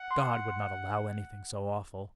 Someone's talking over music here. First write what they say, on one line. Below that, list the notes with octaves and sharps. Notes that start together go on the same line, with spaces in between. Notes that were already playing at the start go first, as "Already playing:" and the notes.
"God would not allow anything so awful!"
Already playing: F#5
C6